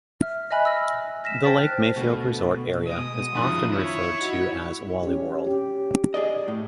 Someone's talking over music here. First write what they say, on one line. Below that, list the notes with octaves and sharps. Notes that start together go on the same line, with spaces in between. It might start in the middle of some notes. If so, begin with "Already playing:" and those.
The Lake Mayfield Resort area is often referred to as 'Wally World'.
E5 F6
D#5 E5 G#5 B5 F#6
E6 F6 A#6
F6 A#6 B6 E7
C5 G5 A5 A6 B6
F6 F#6
D2 B2 A3
G#3 D#6 A#6 D7
F#2 D#3 F3 E4 F4 F#6
E4 C#5
D#4 F#4
C#4 G4
G4
G#4 D5 D#5
A2